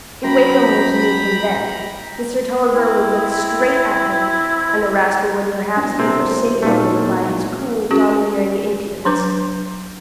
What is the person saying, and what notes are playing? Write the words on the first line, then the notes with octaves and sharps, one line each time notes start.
If Wakem were to meet him then, Mr. Tulliver would look straight at him, and the rascal would perhaps be forsaken a little by his cool, domineering impudence.
F#2 G5 A#5 B5
C4 E4
E1 D4
C3 A#3 C4 A4
A#2 A3 A#3 D#4 C5
C#4 F#4 G#4 A#4
F#3 D4 B4 D6